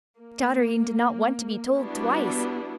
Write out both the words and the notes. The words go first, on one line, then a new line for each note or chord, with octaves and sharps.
Dotterine did not want to be told twice!
A#3
G3 B3 D4 E4 F#4